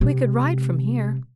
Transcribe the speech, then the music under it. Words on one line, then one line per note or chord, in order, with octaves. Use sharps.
"We could ride from here."
C3 G#3